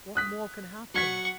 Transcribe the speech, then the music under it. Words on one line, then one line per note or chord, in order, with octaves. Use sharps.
What more can happen?
D#6 F#6 B6
F#3 F#5 C#6 G#6 B6